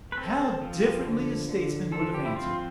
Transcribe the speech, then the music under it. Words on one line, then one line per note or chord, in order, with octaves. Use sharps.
How differently a statesman would have answered!
B4
C4 A4
F3
D3
D3
F3 A4
G4
E4
C4 F4